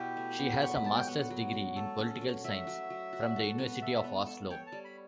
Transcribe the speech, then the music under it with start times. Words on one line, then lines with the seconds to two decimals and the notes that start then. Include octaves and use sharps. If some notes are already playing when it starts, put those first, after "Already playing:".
She has a master's degree in political science from the University of Oslo.
Already playing: B2 E4 G4
0.17 A3
0.38 B3
0.62 F#3 C#6
0.75 B5
0.84 G4 A5
0.96 G5
1.07 B3 F#5
1.30 F#3
1.53 F#3
1.76 A3 A4
1.99 C#4
2.21 F#3
2.44 F#3 E5
2.67 F#3
2.90 F#3
3.13 F#4
3.36 A4
3.58 B3
3.82 A4 E5
4.04 B3
4.27 A4
4.51 C#5 G5
4.67 A5
4.72 G3
4.85 B5